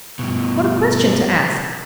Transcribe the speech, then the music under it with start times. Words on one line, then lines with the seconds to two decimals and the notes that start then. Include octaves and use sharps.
What a question to ask!
0.19 G2 B2